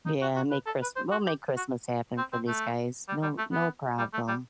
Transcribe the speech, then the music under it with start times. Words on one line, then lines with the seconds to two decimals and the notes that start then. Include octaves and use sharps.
Yeah. Make Chris we'll make Christmas happen for these guys. No no problem.
0.06 D#4
0.21 F#4
0.36 F#4
0.51 B4
0.66 A4
0.82 B4
0.96 C5
1.11 F#4
1.27 G4
1.57 F#4
2.18 C4
2.33 C4
2.48 A3
3.08 G3
3.23 G3
3.38 A3
3.53 B3
3.98 G3
4.13 A3
4.28 G3